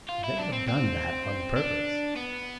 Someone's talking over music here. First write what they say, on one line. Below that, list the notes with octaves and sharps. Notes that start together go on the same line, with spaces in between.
They have done that on purpose.
F4
E4
D4
C4
C4
D4
B3